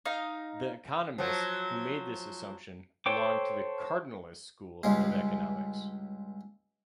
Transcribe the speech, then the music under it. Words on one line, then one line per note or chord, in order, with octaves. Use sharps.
The economists who made this assumption belonged to the 'cardinalist school' of economics.
D#4 F5
F3 F#3
A4 C5 C#5 G5 D6
C#2 G2 G#3